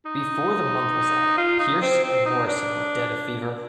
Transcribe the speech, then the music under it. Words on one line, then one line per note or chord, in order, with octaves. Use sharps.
Before the month was out Pearce and Morrison were dead of fever.
D#4
F4
D#4
C4
C4
D#4
D4